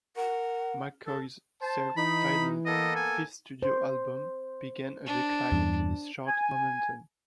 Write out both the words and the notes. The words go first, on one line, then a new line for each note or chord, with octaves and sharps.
McCoy's self-titled fifth studio album began a decline in his chart momentum.
A#4 F#5
A4 A5
C5 A5
E3 D#4 B5
A#3 B3 A4 D#5
G#5
C5
D4
E2 G2
G#5